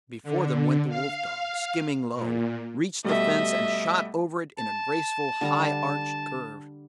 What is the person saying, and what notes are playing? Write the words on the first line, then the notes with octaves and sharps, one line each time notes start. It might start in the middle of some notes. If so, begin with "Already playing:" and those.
Before them went the wolf-dog, skimming low, reached the fence, and shot over it in a graceful, high-arched curve.
D3
F5
A#2
B2 G3 A3 D#5 E5
A5
D3 G3 A#5